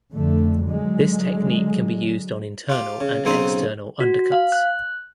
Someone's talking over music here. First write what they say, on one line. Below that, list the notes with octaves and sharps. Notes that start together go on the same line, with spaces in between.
This technique can be used on internal and external undercuts.
F2 D3 A3
D3 F#3 G#3
F4 G4
C#3
B1 C#3 C4 D#4 C5 D#6
F#4
F5
F#6